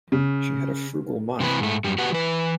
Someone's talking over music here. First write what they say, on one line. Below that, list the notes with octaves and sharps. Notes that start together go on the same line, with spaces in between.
She had a frugal mind.
C#3
C3 E3 F4 B4
G#2 A3
F#2 G3
F#4 G4 B4 F#5
E3 B4